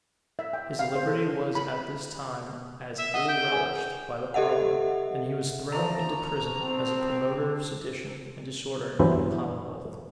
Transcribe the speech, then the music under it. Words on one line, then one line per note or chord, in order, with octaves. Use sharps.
His liberty was at this time as ill relished by the parliament; and he was thrown into prison, as a promoter of sedition and disorder in the commonwealth.
E5
G5
F5
C5
A4
B5
E5
D#5 F#5
G5
G#4 G#5
G4 A4 D#5 E5 F#5
F3 A3 D5 A#5
C4
G2 E3 F#3 B3 C5 E5